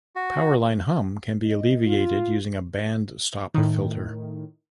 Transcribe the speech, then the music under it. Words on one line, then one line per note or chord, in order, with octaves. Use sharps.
Power line hum can be alleviated using a band-stop filter.
F#4
D#5
F4
A2 D#3